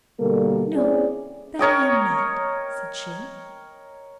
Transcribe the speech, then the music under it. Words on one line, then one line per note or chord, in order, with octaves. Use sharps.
"No, that I am not," said she.
B2 D3 G3 A#3 A4 A#4
C4 C#4 E4 G#4 D5
A#4 C#5 D#5 G5